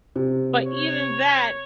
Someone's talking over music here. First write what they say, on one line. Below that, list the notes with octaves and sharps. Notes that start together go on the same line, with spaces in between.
But even that
C3
C#5